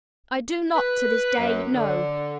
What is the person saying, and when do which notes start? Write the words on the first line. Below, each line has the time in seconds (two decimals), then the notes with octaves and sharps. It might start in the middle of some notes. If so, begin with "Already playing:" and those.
I do not to this day know.
0.74 B4
1.38 F#2
1.74 D3